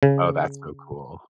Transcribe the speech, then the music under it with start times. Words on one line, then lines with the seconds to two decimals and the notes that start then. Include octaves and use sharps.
Oh, that's so cool.
0.03 C#3